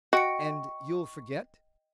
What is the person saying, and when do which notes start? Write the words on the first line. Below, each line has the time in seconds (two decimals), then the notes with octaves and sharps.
"And you'll forget?"
0.13 F#4 D#5 G5 C#6 C#7